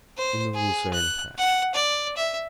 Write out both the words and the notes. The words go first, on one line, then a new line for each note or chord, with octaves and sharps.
In the Lucerne Patch.
C5
G#4
F#6
F#5
D5
E5